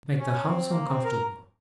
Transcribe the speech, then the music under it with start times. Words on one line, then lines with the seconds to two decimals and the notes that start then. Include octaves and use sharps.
I make the house uncomfortable.
0.20 C#4
0.45 C4
0.70 A#3
0.87 C4
1.04 A#4